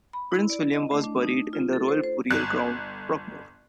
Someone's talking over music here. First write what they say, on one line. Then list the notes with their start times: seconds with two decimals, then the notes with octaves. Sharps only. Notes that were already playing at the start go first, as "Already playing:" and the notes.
Prince William was buried in the Royal Burial Ground, Frogmore.
0.13 B5
0.32 E4
0.50 D5
0.73 D#5
0.91 A3
1.04 D4
1.23 D#4
1.53 F4
1.73 A4
1.88 C5
2.04 C5
2.30 G1 F#6